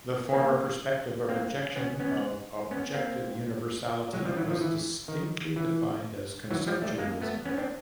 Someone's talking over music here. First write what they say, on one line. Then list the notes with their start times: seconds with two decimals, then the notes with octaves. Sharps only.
The former perspective of rejection of objective universality was distinctly defined as conceptualism.
0.33 A#3 C4
1.29 A#3 C4
1.76 B3 C#4
2.00 B3 C#4
2.71 B3 C#4
2.94 A#3 C4
4.13 F#3 G#3
4.25 F3 G3
4.37 E3 F#3
4.49 D#3 F3
4.60 E3
5.08 D#3
5.56 E3
6.51 E3 F#3
6.67 F3 G3
6.82 G3 A3
6.98 G#3 A#3
7.21 A3 B3
7.45 B3 C#4
7.58 C4 D4